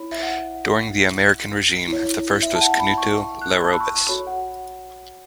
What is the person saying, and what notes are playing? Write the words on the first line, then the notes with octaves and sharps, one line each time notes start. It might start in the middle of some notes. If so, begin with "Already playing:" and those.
During the American regime the first was Canuto Larrobis.
Already playing: E4 C#5 B5
E5
F#5
E4 C#5
E5
A5
F#5
A5
B5
C#6
F#6
E6
A5
B5
C#6
F#4 A4 C#5 B5
F#5